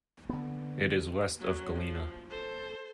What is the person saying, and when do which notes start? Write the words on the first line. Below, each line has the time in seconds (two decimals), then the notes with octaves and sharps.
It is west of Galena.
0.29 D3 B3
1.40 F#3 C#4
1.74 F3
2.30 A4 C5